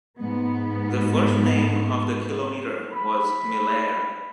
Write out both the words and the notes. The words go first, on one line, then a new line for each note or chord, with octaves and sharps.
The first name of the kilometre was "Millaire".
G#2 B3
B5